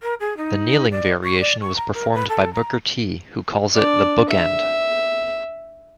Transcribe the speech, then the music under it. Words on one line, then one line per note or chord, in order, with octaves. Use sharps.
The kneeling variation was performed by Booker T who calls it the "Book End".
A#4
G#4
D#4
D5
C#6
D5
C#6
A#5
A#4
B4
A4
A#5
D4 D5
E5